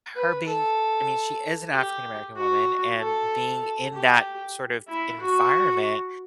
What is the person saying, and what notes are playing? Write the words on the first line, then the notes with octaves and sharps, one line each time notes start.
her being I mean, she is an African-American woman and being in that sort of environment,
B4
A4
G4
F#4
A4
G4
E4
F#4